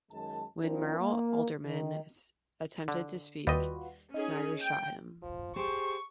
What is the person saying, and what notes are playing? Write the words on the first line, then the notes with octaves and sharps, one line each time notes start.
When Myrl Alderman attempted to speak, Snyder shot him.
F#2 D#3 G#3 A5
F3 A#3 C4 D4 E4 A#4
A#3
D#3
D3
D#2 G3 F4 F#4 B4 D#5
C#4 D#4 G#4
G5
F3
G4 G#4 C5 C#6